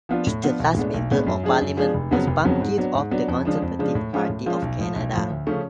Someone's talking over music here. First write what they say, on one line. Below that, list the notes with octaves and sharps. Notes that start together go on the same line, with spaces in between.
Its last Member of Parliament was Parm Gill of the Conservative Party of Canada.
F3 B3 D4 F4
A2
F3 B3 D4 F4
B1
A2 G#3 B3 D4
B1
A2 G#3 B3 D4
F#2
F3 G#3 D4 G#4
F#2
F3 G#3 D4 G#4
F1
F2 C#3 F#3 B3
F1
F2 C#3 F#3 B3
G#2
F#3 B3 D4
G#2
F#3 B3 D4
F2
C#3 F3 G#3 D4
F2
C#3 F3 G#3 D4
A2
F3 G#3 C#4 F4
A2
F3 G#3 C#4 F4
B1
A2 F3
B1
A2 F3
D2
C#3 F3 A3 C#4